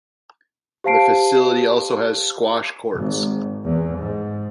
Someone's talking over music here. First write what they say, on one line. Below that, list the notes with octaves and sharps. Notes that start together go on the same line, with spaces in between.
The facility also has squash courts.
G4 C5 F5 A5 C7 D7
G#1
E2
G#2